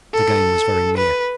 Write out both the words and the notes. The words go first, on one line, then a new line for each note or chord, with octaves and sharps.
The game was very near.
A4
B4